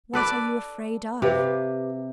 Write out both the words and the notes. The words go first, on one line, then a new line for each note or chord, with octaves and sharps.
"What are you afraid of?"
A4 B4 D5
C3 G4 B4 F5